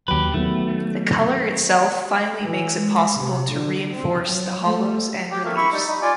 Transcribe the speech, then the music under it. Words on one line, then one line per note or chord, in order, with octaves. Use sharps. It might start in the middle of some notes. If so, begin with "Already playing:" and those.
The colour itself finally makes it possible to reinforce the hollows and reliefs.
D#2 F#3 G4 B4
D#3 F#3 A3 B3
E3
G#3
C3
D3
C4
F#3
A3
G4
A3 A#3
E4 B5 C#6
G3 D#4
D#4
F4 D5 G#5